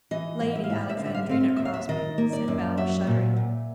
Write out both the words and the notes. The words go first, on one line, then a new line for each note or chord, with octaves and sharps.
"Lady Alexandrina Crosbie," said Bell, shuddering.
E3 D#5
G#2
E5
F5
G#2 E5
F5
E5
D3 F5
E5
F5
E5
C4 F5
E5
F5
D#2 E5
F5
E5
D#3 D#5
A#3
D5
F#2
F#3 E5
A#2
A#2